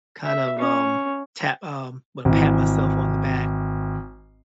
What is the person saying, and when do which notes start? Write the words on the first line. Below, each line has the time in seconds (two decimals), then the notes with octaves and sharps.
kind of, um, tap um, well, pat myself on the back,
0.25 E5
0.59 C#4
2.25 G#1 E3